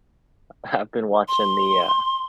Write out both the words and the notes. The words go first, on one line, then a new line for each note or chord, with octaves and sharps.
I've been watching the, uh
C6